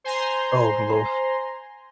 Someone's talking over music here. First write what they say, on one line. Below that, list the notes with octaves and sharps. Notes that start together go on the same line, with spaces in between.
Oh, hello.
C5 G#5 A#5 C6